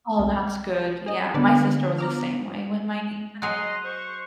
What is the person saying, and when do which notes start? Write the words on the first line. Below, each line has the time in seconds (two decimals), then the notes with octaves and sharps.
Oh, that's good, yeah, my sister was the same way with my niece and
0.19 C2
1.06 G#4 D#5
1.34 D3 B3 B4 D5
1.98 A#5 D6 F6
3.42 F#3 G#4 D#5 C6 F#6 F7
3.84 C5 C#6